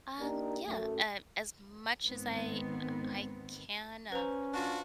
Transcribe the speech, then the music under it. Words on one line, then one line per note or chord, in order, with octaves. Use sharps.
Um, yeah, uh, as much as I, uh, I can of
A#3 D4 D#4 G4 A#4
F#2 A3
G#2 D#3 B3 C4
C#4 B4 C5 A#5
D4 F4 F#4